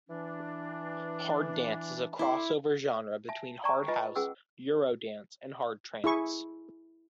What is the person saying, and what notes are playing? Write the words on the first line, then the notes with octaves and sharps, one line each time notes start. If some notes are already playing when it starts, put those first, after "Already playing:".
Hard dance is a cross over genre between hard house, Eurodance and hard trance.
E3 D4
D3 E4 C6 D6
E5 G#5 A5
D5 G5 A5 A#5 C#6
F4 B4 D#5 G#5
C#4 G#4 B4 F#5 G5 E6
E4 G#4 C#6